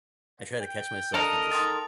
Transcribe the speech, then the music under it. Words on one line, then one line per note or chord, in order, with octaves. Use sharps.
I try to catch myself and just
G5
D4 A4 A#4 D#5 F5 A5
D#3 G#3 C6 D#6 A6